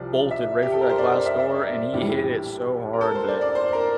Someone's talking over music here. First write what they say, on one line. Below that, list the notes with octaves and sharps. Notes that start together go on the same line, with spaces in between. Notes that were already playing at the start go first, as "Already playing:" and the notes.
bolted right for that glass door, and he hit it so hard that,
Already playing: C2 C3 F3 D5
E5
G4
A4
A#4
C5
D5
C5
E5
E5
D5
A#1 A2 E3 G3 G4
A#4
A4
C5
D5
D5
C5
A#4